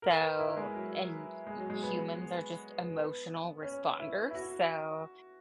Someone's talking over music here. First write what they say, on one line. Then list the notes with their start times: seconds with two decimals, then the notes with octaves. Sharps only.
so, and h humans are just emotional responders, so,
0.02 A#4
0.21 B4
0.39 E4
0.57 G#3
0.75 F#3
1.47 G#3
1.58 F#3
1.70 G#3
1.83 B3
3.62 C#4
3.99 E4
4.31 E4
4.35 F#4